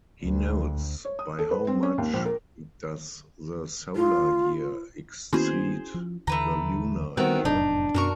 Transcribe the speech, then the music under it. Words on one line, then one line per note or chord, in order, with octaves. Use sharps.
He notes, By how much does the solar year exceed the lunar year?
D2
C#5
D#6
A4
B4
C4
C#4
D#2
A#1
A#4
F4
D#3 A#3 B3 C#4 E4 F#4 G#4 C5
F3
D#2 D3 E3 A3 B4 A#5
D#3 G3 B3 C4 F#4 A#4 E5 F#6
F1 F#2 A2 D4 D#4
F#2 B2 F#4 A#4 C#6